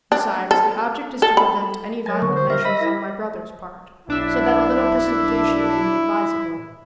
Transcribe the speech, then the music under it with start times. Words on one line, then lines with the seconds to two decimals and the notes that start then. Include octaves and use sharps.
Besides, the object is to prevent any violent measures on my brother's part, so that a little precipitation may be advisable.
0.12 D4
0.51 A4
1.22 A4
1.37 B5
2.06 F#3 A#4 G#5 A5
2.22 D3 C#6
2.35 C5
2.50 A#4 C5 E5 A#6
2.65 D#5 B5
2.81 E4
4.08 B1 D4 E4 E5